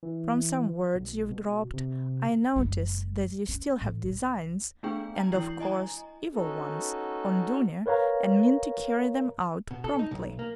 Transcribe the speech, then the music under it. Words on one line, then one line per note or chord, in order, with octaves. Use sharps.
"From some words you've dropped, I notice that you still have designs--and of course evil ones--on Dounia and mean to carry them out promptly."
E3
B1
B2
C3
F#1 G#3
C#4
A2
C#2
A3 B3 D4 G#4 G5
G5 A5 A#5
E3 G#3 E4 G6 C7 F#7
E4 D#5 G#5 A#5
B3 C#4 D#4 F#4 A4
A#4 B4 C#5 F5 A#5
B2
A4
D#4
B1
A#3